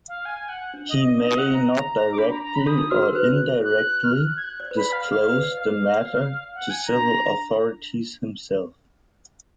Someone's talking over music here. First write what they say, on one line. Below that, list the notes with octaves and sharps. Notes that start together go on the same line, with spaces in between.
He may not directly or indirectly disclose the matter to civil authorities himself.
F5
G#5
G#5
F#5
D4
D#5
D#5
D#4 D#5
F#5
A#5
A#5
D6
D4 B5
A#5
A#5
B5
D4 D#6
D#4
F#4 F6
A#4
B4 F#6
F#6
F6
F#6
F#6
G#6
F#6
D5
B4
D5 B5
F5
D#5 F5
D5
B4
D5
D#5 F5
D5
F#5
G#5
D4 A#5